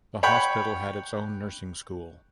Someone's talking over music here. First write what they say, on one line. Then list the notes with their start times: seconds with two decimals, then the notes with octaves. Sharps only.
The hospital had its own nursing school.
0.23 C#5 F#5 G5 B5